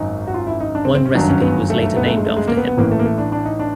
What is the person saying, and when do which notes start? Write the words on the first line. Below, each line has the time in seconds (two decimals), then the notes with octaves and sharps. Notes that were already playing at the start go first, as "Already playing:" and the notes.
One recipe was later named after him.
Already playing: G#1 F#2 D#3 D#4
0.27 F#4
0.34 F4
0.47 E4
0.60 D#4
0.75 D4
0.85 C4
0.95 C4
1.06 C#4
1.15 G1 F#2 D#3 F#3 D4
1.29 C#4
1.42 B3
1.70 A3
1.82 A3
1.96 B3
2.06 A3
2.17 G#3
2.26 A3
2.37 G#3
2.47 A#3
2.57 B3
2.67 B3
2.77 A1 A2 E3 A#3
2.91 A3
2.99 A#3
3.05 A3
3.18 D4
3.32 D4
3.45 D#4
3.60 D4